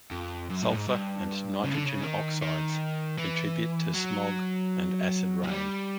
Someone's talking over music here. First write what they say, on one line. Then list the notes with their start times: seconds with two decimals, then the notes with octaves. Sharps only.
Sulfur and nitrogen oxides contribute to smog and acid rain.
0.11 F2
0.50 F#2
0.63 A2
0.76 G#2
0.88 G2
1.64 C#3
1.75 D3
1.84 C#3
2.02 D#3
2.42 D#3
3.18 E3
3.94 F#3
5.44 G#3
5.48 G3